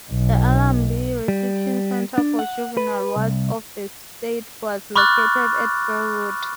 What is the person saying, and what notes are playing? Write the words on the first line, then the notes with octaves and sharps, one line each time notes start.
The Allambie Reception Centre for juvenile wards of the state was located at Burwood.
B1
G3
D4
F#5
B4
C2
B5 C#6 D6 F6 F#6 A6